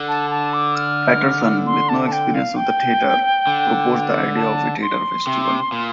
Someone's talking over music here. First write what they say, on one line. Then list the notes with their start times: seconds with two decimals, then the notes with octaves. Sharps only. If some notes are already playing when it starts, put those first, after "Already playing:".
Patterson, with no experience of the theatre, proposed the idea of a theatre festival.
Already playing: D3
0.08 A5
0.31 A5
0.54 D6
0.76 F6
1.66 C6
1.89 A5
2.06 A5
2.12 G5
2.34 F5
2.56 G5
3.47 D3
4.36 A5
4.82 C6
5.27 C3
5.72 A#2